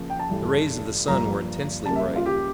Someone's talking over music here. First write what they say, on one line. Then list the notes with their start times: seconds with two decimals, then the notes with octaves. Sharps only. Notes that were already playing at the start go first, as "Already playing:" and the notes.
The rays of the sun were intensely bright.
Already playing: C#3 F3 A#3
0.10 G5
0.19 A5
0.29 G2 E3 A3
1.08 G2 F3 A#3 A#5
1.86 C#3 G3 A#3 A5
1.96 E5
2.16 F4
2.26 G4